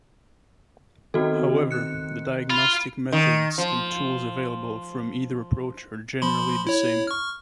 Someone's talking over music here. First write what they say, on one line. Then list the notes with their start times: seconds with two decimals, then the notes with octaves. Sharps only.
However, the diagnostic methods and tools available from either approach are generally the same.
1.14 D#3 B3 C4 F#4 A4
1.71 F#6 C#7
2.50 F4 B5
3.12 D#3
3.58 F3
6.22 F3 B5 C6
6.67 E4 C#5
7.07 C#6 F6